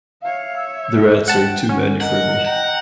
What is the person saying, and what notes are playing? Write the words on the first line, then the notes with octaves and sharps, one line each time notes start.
The rats are too many for me.
C#5 E5 F5
E6
F#5 G5 A5
C#4 F#5
A#4 D#5 F#5
F#5 G5 A#5